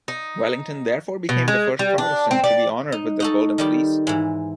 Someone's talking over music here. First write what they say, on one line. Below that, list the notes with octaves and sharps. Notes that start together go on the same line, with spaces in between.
Wellington therefore became the first Protestant to be honoured with the Golden Fleece.
D#4
B2
G#3
G3
D4
C4
D5
D#4
D#4 F#4 A4
D#3 G3 G4
G#2 E3